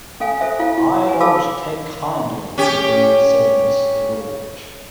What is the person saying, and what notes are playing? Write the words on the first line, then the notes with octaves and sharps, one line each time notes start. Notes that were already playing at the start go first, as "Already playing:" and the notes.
"I don't take kindly to the breed," said Mr. George.
C#4 A4 F5 G#5
A4 C5 E5
E4 F4 F5
E4
B4 G#5
A4 F5 A5 B5 D6 E6
C#4 G4